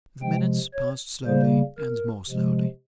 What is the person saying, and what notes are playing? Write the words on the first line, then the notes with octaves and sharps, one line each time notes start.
The minutes passed slowly and more slowly.
C3 F3 G#3 G5
C#5
C#3 G3 A#3 C5
A#4
C3 F3 G#3